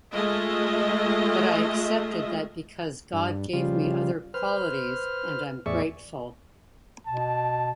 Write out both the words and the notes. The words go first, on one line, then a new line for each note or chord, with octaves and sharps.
But I accepted that because God gave me other qualities and I'm grateful.
G#3 A3 F4 D#5 E5
G2
C#3 F3 G3 F4
B4 C5 F6
E2 A2 G#4 D5 E5 C#6
B2 A5